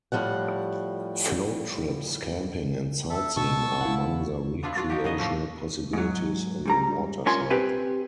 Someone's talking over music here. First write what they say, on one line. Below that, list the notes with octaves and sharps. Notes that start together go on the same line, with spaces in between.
Float trips, camping, and sightseeing are among the recreational possibilities in the watershed.
A2 F3 G3 F#5
A4 E5
B2 A5 C#6 E6
E4 F5 F#5
B3 D4 E4 F4
D4 F4 F#4
D#4 F#4 G4
C#3 B3 D#5
A2 F3 A3 A#3
G#2 F#3
G#2 G3 A#5
G2 C#4 F4 A#4 G#5 C6
C4 G4 B4 G#5